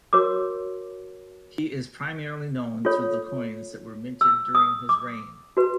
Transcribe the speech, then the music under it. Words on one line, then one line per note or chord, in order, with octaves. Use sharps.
He is primarily known through the coins that were minted during his reign.
F#4 A#4 C#5 D6
F4 A4 C#5
E6
D#6
D6
F#4 B4